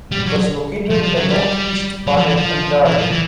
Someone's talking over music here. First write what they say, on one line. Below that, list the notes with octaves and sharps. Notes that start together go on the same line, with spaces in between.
It was located in the northeast part of Ontario.
G3
F#3
F3
F3
F#3
G3
F#3
F3
E3
F3
E3
F3
E3